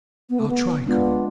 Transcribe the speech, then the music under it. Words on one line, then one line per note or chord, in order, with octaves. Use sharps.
"I'll try, Colonel!"
B3
A3
B3
G#3 B3 D4 F4